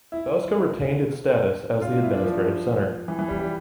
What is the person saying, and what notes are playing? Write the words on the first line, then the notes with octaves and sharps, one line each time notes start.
Bauska retained its status as the administrative center.
E4
F4
D4
E4
D4
F3
E3
E3
G3
G3